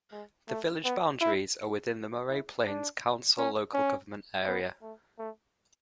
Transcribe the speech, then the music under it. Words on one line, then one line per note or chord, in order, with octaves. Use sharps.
The village boundaries are within the Moree Plains Council local government area.
G#3
A3
B3
E4
E4
D4
C#4
C#4
B3
A3
A3